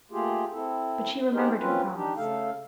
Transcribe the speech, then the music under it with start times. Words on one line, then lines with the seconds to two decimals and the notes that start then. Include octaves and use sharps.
But she remembered her promise.
0.11 A3 A#3 F4 G4 G#4
0.52 C4 E4 A4
1.33 D#4 G4 G#4 A#4 C5 D#5
1.59 A#3 C4 C#4 F4 B4
1.95 D4 D#4 G4
2.17 C#3 A3 A4 F5